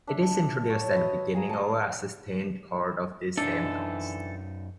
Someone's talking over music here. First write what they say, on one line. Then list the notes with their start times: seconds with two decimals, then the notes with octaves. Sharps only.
It is introduced at the beginning over a sustained chord of these same notes.
0.07 D4 E5
0.70 C#5 F#5
0.96 F#4 B4 D#5 E5
1.34 G#4 F5 A#5
1.49 D#5 A5
3.38 F#2 E3 D4 D#4 A4